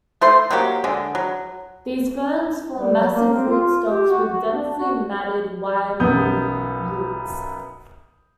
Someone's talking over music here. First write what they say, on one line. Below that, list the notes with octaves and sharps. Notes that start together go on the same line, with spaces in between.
These ferns form massive rootstocks with densely matted, wiry roots.
A3 C5 C6
F#3 A#3 F#4 G4
D3 G#3
F#3
G3
F#3
A#3
C4
F4
G4
F#4
F#4
D4
F#4
B1 F#2 B3 D#6 G6